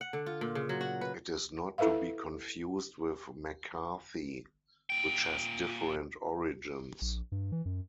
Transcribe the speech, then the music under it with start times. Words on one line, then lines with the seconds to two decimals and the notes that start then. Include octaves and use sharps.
It is not to be confused with McCarthy, which has different origins.
0.01 F#5
0.13 D3
0.26 F4
0.41 A#2
0.55 C#3
0.69 F#3
0.81 F#4
1.01 B4
1.78 E4 A4 B4 E5 F5
4.90 A#2 G5
7.01 A#1
7.32 G2
7.52 E3
7.65 F#2